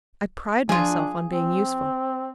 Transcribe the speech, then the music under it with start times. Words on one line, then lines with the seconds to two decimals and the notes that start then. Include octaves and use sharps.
I pride myself on being useful.
0.69 F3 D4 F4 G#4
1.28 C4